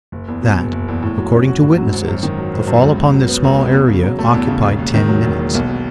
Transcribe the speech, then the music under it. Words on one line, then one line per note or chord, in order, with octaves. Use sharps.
That, according to witnesses, the fall upon this small area occupied ten minutes.
F#1
E2
B2
F#1
F#1
E2
A2
F#3
C#4
F#4
A2
F#3
G#1
F#2
D#3
F#3
G#1
F#2
C#2
B2
F#3
B3
C#2
B2
E2
C#3
F#3
A3
E2
C#3
E1
D#2
D#3
F#3
E1
D#2
B1
B2